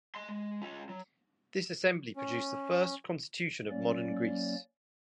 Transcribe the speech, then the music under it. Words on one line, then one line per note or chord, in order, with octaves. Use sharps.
This assembly produced the first constitution of Modern Greece.
D#5 C6
G#3
C#4 F4
F#3
C#4
F#3 A#3 C#4 D5